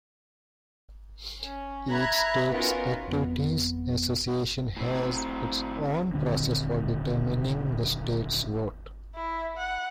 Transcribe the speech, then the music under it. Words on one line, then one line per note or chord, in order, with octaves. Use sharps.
Each state's activities association has its own process for determining the state's vote.
C#4
E5 A#5 B5 F#6 G#6
B3 C#4 D#4 F4 F#4 A#4
F2 B3
A2 C4
D#1 A#1 D3 C4
E4
F#5